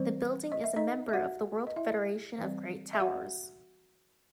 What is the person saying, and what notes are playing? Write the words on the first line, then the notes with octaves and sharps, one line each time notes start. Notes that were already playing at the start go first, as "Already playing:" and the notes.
The building is a member of the World Federation of Great Towers.
Already playing: E3 G3 C4 C5
D#5
E5
D#4 D#5
E5
F#4 F#5
D#5
E4 E5
E3 G3 C4
E5
F#4 F#5